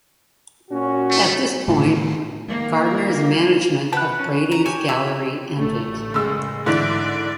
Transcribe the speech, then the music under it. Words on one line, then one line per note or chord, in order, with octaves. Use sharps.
At this point, Gardner's management of Brady's gallery ended.
A#2 C#4 F#4
A3
A2 D#3
D#3 A#3
B4 F#5 G5 A5 F#6
C#4
A#5
F#4 G4 G#5
E5
A1 A3
F#1 G#3 E6
G#2 D3 E3 D5